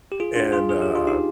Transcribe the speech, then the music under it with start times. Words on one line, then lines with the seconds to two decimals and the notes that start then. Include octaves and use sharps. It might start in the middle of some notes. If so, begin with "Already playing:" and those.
And, uh,
0.12 G4
0.20 F4 G#4
0.36 D4 F4
0.52 F4 G#4
0.69 G#4
0.82 G4
0.96 F4
1.07 D#4 G4